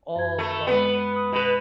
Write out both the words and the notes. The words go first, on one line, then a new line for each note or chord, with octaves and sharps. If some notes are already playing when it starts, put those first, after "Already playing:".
all love
F#2 G#6
A3 B5
G#3 B3 B4
D#6 F#6
B2 B4